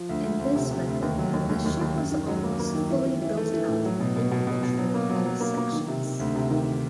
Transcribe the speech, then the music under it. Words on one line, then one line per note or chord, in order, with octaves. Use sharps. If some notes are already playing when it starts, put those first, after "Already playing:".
In this method, the ship was almost fully built out in individual hull sections.
Already playing: F3
D2
D2
D2
C3
C3
D2
D#2
F#3
D#2
D#2
D#2
D#2
F#2
D#3
F#3
A#3
A#3
D#3
E3
E3
E3
A3
E3
A2
F#3
B2
B2
B2
B2
B2
F#3
A#3
F#3
F#3
A#3
A#3
D#3
C3
D#3
D2
C3
D#3